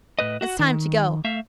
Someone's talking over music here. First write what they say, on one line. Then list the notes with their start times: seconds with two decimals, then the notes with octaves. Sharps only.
It's time to go.
0.19 A2 B4 D#5
0.41 F#4 F#5
0.59 D#3
1.24 A3 E5 F5